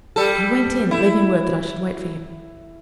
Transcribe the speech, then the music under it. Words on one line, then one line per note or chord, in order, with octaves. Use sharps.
He went in, leaving word that I should wait for him.
G3 A4
E4